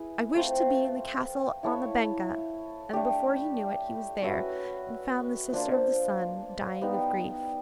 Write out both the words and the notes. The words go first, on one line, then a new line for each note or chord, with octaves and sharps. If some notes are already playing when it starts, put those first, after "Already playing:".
'I wish to be in the castle on the Banka!' And before he knew it, he was there, and found the Sister of the Sun dying of grief.
Already playing: E4 G#4 B4 E5
A3 C4 F4
E4 A4 C#5 E5
A3 D4 G4
C#4 F#4 B4 E5
F3 A#3 D4 F4
G3 B3 D#4